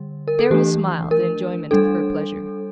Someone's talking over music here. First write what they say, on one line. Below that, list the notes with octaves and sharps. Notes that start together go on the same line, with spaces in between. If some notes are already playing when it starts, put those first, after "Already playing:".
Darrow smiled in enjoyment of her pleasure.
Already playing: D3 G3
A#4
A4
E3 A3 D4 G4
A#4
G3 D4 A4